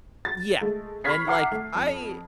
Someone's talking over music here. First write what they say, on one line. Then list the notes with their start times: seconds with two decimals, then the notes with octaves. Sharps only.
Yeah. And, like, I
0.25 A6
0.61 G#3 A3
1.04 B5 C#6 F6 G#6 B6 C7
1.27 E5 F#5 A#5 D6 F6 C7
1.52 A3
1.75 F2